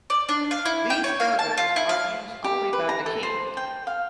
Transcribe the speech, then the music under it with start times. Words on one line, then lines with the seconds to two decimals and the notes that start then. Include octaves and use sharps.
These feathers are used only by the king.
0.10 D5
0.29 D4
0.51 F5
0.65 E4
0.90 G5
1.04 C#5
1.20 F5
1.39 A5
1.58 F4
1.76 E4
1.89 F5
2.44 G4
2.73 B4
2.89 A#5
3.06 A4
3.23 C5
3.57 G5
3.87 F5